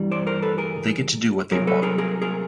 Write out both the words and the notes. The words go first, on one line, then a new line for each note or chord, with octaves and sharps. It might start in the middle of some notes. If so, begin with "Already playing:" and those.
They get to do what they want.
Already playing: G2 E3 G3
C5 D5
A#4 C5
A4 B4
G#4 A#4
C2 B2 F#3 G#4 A#4
A4 B4
G#4 A#4
G#4 A#4
G#4 A#4